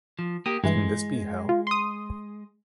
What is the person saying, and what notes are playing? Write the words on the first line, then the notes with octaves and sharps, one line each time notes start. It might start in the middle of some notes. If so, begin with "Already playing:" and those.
Can this be hell?
F3
A#3 G4 D#6
G2 E3 G#3
F4
C6 D#6